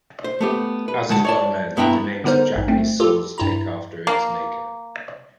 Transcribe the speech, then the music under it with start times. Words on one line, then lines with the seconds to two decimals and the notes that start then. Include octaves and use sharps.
As is well-known, the names of Japanese swords take after its maker.
0.24 C5
0.41 A3 B3 G4
0.88 B4
1.09 D2 G#3 F#5 A5
1.25 C#5 D5 A5
1.77 G2 B3 E4 G5 A#5
2.24 D3 B3 D#4 A#4 C5
2.55 A1 G#2
2.68 A3 C4
3.00 F4 G4 A4
3.38 G2 E4 A#5
4.07 A#3